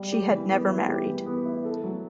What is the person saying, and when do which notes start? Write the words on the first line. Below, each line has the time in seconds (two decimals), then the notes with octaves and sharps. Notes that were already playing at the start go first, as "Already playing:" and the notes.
She had never married.
Already playing: G3
0.12 G4
0.31 E3
0.50 B3
0.69 E4
0.88 G4
1.07 E3
1.26 B3
1.45 E4
1.65 A4
1.84 F#3